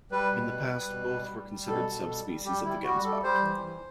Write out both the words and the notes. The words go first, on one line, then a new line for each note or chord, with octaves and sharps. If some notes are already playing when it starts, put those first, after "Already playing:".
In the past, both were considered subspecies of the gemsbok.
G3 B4
B2
G3
G3
B2
G3
G3
G3
B2 A4
B2
G3
G3
G3 G4
G3 E4
G3 F#4
G3 A4
G3 C5
E3
E3